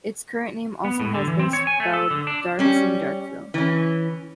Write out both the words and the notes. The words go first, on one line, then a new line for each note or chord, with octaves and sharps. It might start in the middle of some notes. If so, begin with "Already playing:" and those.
Its current name has also been spelled "Darkes" and "Darkville".
B3
A2
D3
E3
C4
C#5
G#5
A3
A4
D3
D4
G3 C#4
E3 C#4